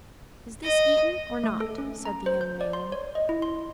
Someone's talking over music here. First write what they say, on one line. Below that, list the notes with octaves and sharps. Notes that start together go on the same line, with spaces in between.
"Is this eaten or not?" said the young man.
D#5
A3
A4
C#4
A#5
C5
G6
D5
C6
C#5
D#5
E4
C6